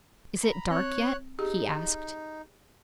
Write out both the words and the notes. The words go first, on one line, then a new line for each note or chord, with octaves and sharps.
'Is it dark yet?' he asked.
A#5 B5
C4 C#5 F#6
D#4 G4 G#4